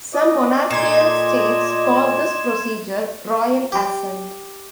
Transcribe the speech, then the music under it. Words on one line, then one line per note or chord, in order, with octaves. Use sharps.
Some monarchical states call this procedure "royal assent".
D5 D#5
A#2 A3 C6 G#6 E7
G4